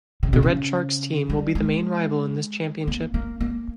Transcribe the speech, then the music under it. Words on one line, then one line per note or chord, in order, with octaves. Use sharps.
The Red Sharks team will be the main rival in this championship.
C#3
B2
C#3
G3
G#3
A#3
A#3
A#3